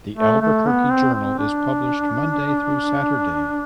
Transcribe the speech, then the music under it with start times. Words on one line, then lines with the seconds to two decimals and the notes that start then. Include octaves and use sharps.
The "Albuquerque Journal" is published Monday through Saturday.
0.17 A3
0.41 A3
0.66 B3
0.90 C4
1.14 C4
1.38 D4